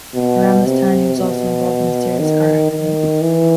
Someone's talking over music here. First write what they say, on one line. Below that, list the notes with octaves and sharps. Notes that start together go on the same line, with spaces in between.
Around this time he was also involved in a serious car accident.
B2
C3
B2
D#3
D#3
E3